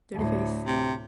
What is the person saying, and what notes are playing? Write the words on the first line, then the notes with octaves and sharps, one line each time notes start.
Dirty Face!
D2 A2
C3